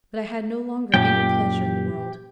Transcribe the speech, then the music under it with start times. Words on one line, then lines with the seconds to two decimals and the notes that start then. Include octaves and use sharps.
But I had no longer any pleasure in the world.
0.94 F#2 A#2 G4 G5